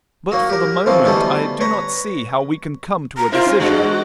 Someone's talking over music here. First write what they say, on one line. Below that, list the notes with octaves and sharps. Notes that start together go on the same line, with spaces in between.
But for the moment I do not see how we can come to a decision.
F#3 A#3 F#4
G4 A#4
E3 F3 C4 C#4
B2 D3 G3 A3 B3 C#4
B4 C#5 A#5
A#5
D#4 F4 A#4 C5
C4
G3 D4 F#4